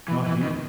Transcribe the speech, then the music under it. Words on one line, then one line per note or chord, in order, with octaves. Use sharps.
Not he!
E3
E3
D#3